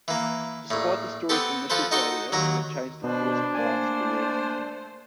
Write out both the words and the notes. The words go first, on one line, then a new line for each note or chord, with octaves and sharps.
Despite the story's initial failure, it changed the course of Clarke's career.
E3 A#3
A#1 A2
B3 C4 G4 A4
F3 A4 B4 C5
D#4 F#4 A4 C5 G5
D#2 F#3 A#5
B2 D4 B4 C5
A3 A#3 C5 D5 G#5